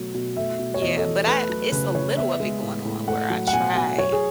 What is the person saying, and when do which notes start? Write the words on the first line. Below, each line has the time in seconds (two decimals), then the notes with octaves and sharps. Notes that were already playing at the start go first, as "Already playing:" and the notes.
yeah, but I it's a little of it going on where I try
Already playing: B2 F#3 A3
0.14 B2
0.36 A3 E5
0.59 B2
0.74 C#5
0.82 E2 D#5
0.97 A4
1.04 E2
1.27 A3 B4
1.49 F#3
1.72 C#3 B4
1.95 C#3 C#5
2.17 B3 E5
2.40 G#3
2.62 A2
2.85 A2
3.07 A3 F#5
3.30 F#3
3.47 F#5
3.53 B2 G#5
3.75 B2 G#5
3.98 F#3 C#5
4.12 G#4